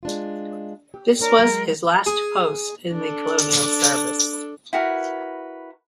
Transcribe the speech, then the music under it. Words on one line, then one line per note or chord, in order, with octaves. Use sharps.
This was his last post in the Colonial Service.
G#3 D4 F4
G4
A#3 D4 A#4 C#5
F#3 G#3
G#4
D4 A4
E4 F#4 A#4 B4